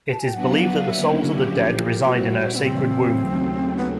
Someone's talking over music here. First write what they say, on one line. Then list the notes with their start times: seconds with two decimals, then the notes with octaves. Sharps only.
It is believed that the souls of the dead reside in her sacred womb.
0.12 A5
0.20 G#5
0.27 G5
0.33 F#3 B3 D4 F#4 B4 F#5
0.48 F5
0.62 F#5
0.76 F5
0.91 D3 F#3 A#3 C#4 E4 E5
1.06 C5
1.19 A#4
1.29 F#4
1.34 G4
1.48 A2 F3 A#3
2.05 A#2 G3 C4 E4 F#4
2.55 B3
2.63 F#2 C#3 E3 C4
3.19 D#2 C#3 F#3 A3
3.77 B3